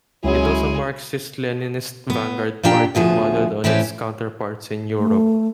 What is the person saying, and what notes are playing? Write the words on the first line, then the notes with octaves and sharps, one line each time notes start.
It was a Marxist-Leninist vanguard party modeled on its counterparts in Europe.
C#2 F#3 G#3 C#4 E4 G#4 C#5
B3
A#2 A#3 D4 G4 G5
D2 B2 F3 G#4
A2 E3 C4 C#4 G4
A3